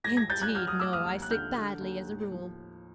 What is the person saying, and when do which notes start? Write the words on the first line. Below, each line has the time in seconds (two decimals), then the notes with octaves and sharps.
"Indeed no, I sleep badly, as a rule."
0.04 G#2 G#6 A#6
0.17 G#6 A#6
0.29 G3 G6 A6
0.42 F#6 G#6
0.55 F#3 F6 G6
0.67 D#6 F6
0.80 F#3 D6 E6
0.93 D#6 F6
1.05 D#2
1.22 F#6
1.30 D3 F6 G6
1.57 D3
1.81 D#2
2.07 A2
2.32 F3